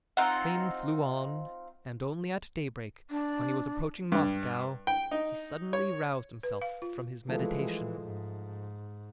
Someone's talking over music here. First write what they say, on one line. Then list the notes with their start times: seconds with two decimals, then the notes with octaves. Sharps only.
The train flew on, and only at daybreak, when he was approaching Moscow, he suddenly roused himself from his meditation.
0.17 C4 D#4 F4 F#5
3.10 D4
4.12 G2
4.87 G5
5.11 D#4
5.73 C#5
6.43 B4
6.62 F5
6.82 F4
7.29 E3 F3 G#3 A3
8.01 G#2